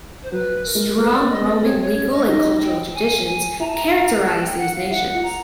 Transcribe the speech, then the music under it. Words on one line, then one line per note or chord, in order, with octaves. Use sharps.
Strong Roman legal and cultural traditions characterize these nations.
C5
F#3 B4
A#4
G#3
A3 B4
D5
A#3
D#5
B3
D5
C4 C#5
C#5
C#4
D#5
D5
D#4 D#5
G5
G#5
G#5
E4 A#5
A5
A#5
A#5
A5
G5
F#5
F5
E4 F#5
F4
A#5